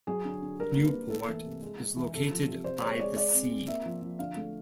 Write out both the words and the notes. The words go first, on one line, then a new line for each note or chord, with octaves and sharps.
Nieuwpoort is located by the sea.
F#3 G#4
D3
D3
G3 A#4
A#3
B4
A#3
A3 A4
E3
C3
G#3
G#3
E3
C3 A4
F3
C3
C4 C5
G#3 C#5
G#3 D5
G#3 D5
C4
C4
A#3 E5
F3
F3
D3 F5
A3